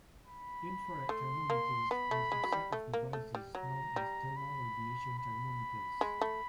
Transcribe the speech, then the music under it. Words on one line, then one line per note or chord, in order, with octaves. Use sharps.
Infrared thermometers are a subset of devices known as "thermal radiation thermometers".
B5
A3 C6
A#3
B3 B5
A3
G#3
F#3
G3
A3
A#3
A3
G3
F#3 A#5
G3
B5
B5
G#3
A3